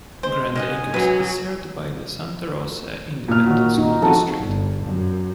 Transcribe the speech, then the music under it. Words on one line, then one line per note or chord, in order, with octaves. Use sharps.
Grand Acres is served by the Santa Rosa Independent School District.
G#3 C5
D#3 C#4 D#5 F#5 G#5
F#3 G#4 B4
A#2 F6
D#3 F#4
D#4
F3 C4 F#4 A4
G1
F#2